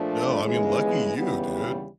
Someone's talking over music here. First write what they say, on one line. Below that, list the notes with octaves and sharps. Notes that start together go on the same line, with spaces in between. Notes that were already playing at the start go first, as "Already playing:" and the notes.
No, I mean, lucky you, dude.
Already playing: A#2 F3 A3 D4
D#2 C#3 E3 G#3 B3
D#2 C#3 E3 G3 B3